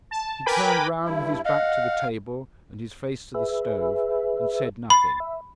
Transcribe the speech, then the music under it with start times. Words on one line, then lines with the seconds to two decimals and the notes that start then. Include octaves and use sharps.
He turned round with his back to the table and his face to the stove, and said nothing.
0.11 A5
0.46 A#4 B4 G5 G#5 B5 D6
1.05 G2 E4
1.45 D#5 F5 F#5
3.34 G#4 B4 E5
4.90 B5 C6 A6
5.20 E5